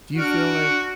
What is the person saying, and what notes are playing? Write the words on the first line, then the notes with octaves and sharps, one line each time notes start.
Do you feel like
D4 F#4 F6 D7